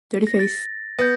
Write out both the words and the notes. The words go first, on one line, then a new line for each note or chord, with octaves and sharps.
Dirty Face!
A#6
A6
B3 G6 A#6